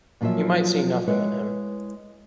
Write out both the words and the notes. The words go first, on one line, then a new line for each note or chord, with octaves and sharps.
You might see nothing in him.
A#2 F3 F#3 F4 E5
G#3 E4 B4 C#5